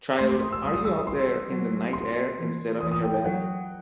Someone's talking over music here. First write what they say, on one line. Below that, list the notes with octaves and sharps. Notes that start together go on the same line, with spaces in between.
Child, are you out there in the night air instead of in your bed?
A3 C6
C6
D#6
E6
G3 D#6
D#6
E6
D#6
C6
F#3
C6
E3
E3 D#6
D#6
G5
G5
F#3 F#5